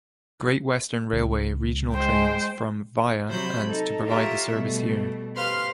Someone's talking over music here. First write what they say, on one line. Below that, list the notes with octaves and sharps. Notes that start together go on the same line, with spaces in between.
Great Western Railway regional trains from "via" and to provide the service here.
C#2
G#3 C5 G5
C3 F#3 C5 B5 G6
D#4 A4
F4 G4 A#4 C#5 E5
B2 G3 A3
G4 B4 C5 F5 C6 F6